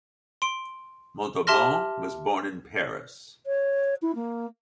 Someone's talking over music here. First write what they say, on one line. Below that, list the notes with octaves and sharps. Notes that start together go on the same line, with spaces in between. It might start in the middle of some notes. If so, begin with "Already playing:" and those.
Montauban was born in Paris.
C6 D7
G4 E5 A5 C6 F6 A#6
C#5
E4
A#3